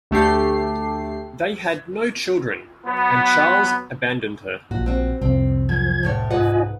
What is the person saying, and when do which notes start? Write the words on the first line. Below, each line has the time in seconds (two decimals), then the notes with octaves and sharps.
They had no children and Charles abandoned her.
0.11 D2 A3 G4 C7
2.86 F#3 B3
4.71 A#1 A#2 F#4
4.86 C4 F#4
5.21 C2 F2 C4
5.69 F#2 F3 G#6
6.03 D2 A2 C#5
6.30 G#2 F4 B4 D#5 F#5 G#5